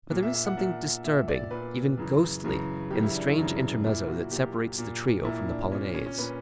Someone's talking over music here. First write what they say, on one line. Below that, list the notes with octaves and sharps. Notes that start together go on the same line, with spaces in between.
But there is something disturbing, even ghostly, in the strange intermezzo that separates the trio from the polonaise.
A#2
E5
E5
F#5
A#2 E5
A#2 E5
D5
A#2 B4
F#2 C#3 E3
F#2 C#3 E3
F#2 C#3 E3 G4
E4
D4
E4
F#2 C#3 E3
A#2 E4
F#4
A#2 G4
A#2
A#2 E4
D4
A#2 C#4
C#4
C#4
A#2 B4